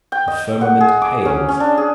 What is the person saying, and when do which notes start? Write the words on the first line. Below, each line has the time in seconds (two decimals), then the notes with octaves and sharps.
The firmament pales.
0.12 G5
0.28 D#5
0.61 F#5
0.81 G#4
1.02 D6
1.25 C#4
1.49 C#4
1.60 D4
1.78 G#4